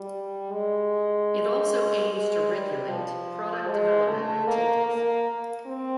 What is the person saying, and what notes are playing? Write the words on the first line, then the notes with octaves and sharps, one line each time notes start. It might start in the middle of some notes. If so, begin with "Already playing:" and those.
It also aims to regulate product development activities.
Already playing: G3
G#3
G#3
G3
F3
G#3
A3
A#3
A#3
C4